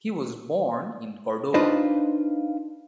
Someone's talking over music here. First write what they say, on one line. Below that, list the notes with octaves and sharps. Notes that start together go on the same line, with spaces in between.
He was born in Cordoba.
D4 D#4 F4 B4 C5 D#5